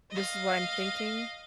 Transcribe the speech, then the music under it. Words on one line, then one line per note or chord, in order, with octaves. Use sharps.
"This is what I'm thinking."
D#5 F5